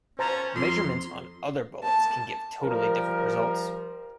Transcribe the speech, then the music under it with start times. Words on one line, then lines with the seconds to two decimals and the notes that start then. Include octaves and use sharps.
Measurements on other bullets can give totally different results.
0.19 C#4 C5 A5 A#5
0.56 F2 C6
1.84 A5
2.62 F3 G3 A#4